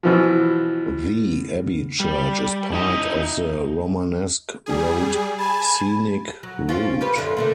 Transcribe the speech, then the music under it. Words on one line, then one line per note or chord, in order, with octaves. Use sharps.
The abbey church is part of the Romanesque Road scenic route.
B2 E3 F3
G3
D#4 E4 D#5
G3 G#4
G#5 A5 B5
F#3
C4 C#4 F4
F4 G4 B4
F#2 D3 F4
C3 A3 A#3